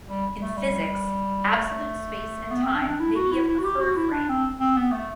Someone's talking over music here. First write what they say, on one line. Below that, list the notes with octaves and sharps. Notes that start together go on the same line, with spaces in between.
In physics, absolute space and time may be a preferred frame.
G3
A3
G3
A3
B3
C4
D4
C4
D4
E4
F#4
E4
E4
F#4
G4
F#4
E4
D4
C4
C4
B3
A3